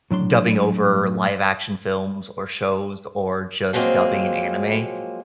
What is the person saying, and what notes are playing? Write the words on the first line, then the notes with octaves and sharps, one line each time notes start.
dubbing over live action films or shows or just dubbing an anime,
A2 F#3 D4 C6
F3 F#3 G#3 A#3 C4